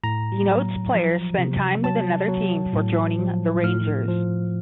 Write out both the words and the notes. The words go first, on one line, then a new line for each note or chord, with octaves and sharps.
Denotes player spent time with another team before joining the Rangers.
A2 A#5
F#3
F3
C3
F#3 A5
F#3
A2
F3
A2 F6
F3